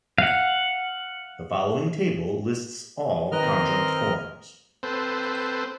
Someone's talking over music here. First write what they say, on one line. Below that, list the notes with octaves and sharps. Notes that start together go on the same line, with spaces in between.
The following table lists all conjunct forms.
F5 F#5
D#3 C4 A#4 B4 D#5 F6 F#6
C4 A4 B4 C5